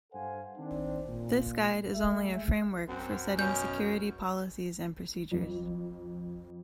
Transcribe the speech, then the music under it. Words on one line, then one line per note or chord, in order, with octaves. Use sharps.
This guide is only a framework for setting security policies and procedures.
G2 A4 C5 F5 F#5 G#5
D#3 C4 D4
A#2
G#3 A3 E5
F#2 C4
B2 C#4 F6 G6
F2